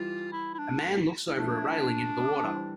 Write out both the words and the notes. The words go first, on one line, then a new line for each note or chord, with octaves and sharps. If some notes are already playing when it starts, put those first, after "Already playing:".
A man looks over a railing into the water.
Already playing: E3 G3 F4
E4
E4
D4
F3 A3 D4
E3 G3